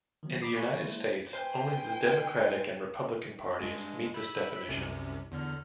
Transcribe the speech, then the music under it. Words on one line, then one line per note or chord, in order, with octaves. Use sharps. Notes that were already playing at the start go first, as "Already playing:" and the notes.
In the United States, only the Democratic and Republican parties meet this definition.
D#3 F3 F#3 B3
A#5 B5 D6 D#6 B6 C7
G#4 F5 G#5 B5 C#6 F#6
G#3 A#3 E4 C5
B4 C5 G5 G#5 C6
G2 G#3
B5 E6 B6
C2 F#2 C3
E2 D3 F6